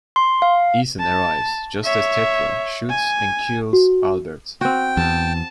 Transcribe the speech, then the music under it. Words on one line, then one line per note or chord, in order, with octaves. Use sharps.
Ethan arrives just as Tetra shoots and kills Albert.
C6
F5
A5
C#5 E5
G#5
F#4
C4 F#4 G5
E2 A5